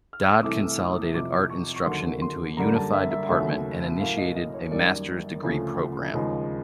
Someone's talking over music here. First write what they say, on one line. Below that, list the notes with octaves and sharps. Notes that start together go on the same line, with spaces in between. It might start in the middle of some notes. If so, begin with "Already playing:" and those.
Dodd consolidated art instruction into a unified department and initiated a master's degree program.
F6
E6
D#6
C2 C3 E3 A3 D6
D#6
F2 C3 F3 D6
C#6
C#6
D#2 D3 F#3 A#3 C6
C6
F#2 D3 G3 A#3 A#5
A5
E5
E5
D#2 C#3 F#3 A3 E5
A2 F#3 A#3 F5
D#5
D#5
C#5
F#2 D#3 G3 A#3 D5
D2 C#3 F3 A3
D#2 C#3 F3 G#3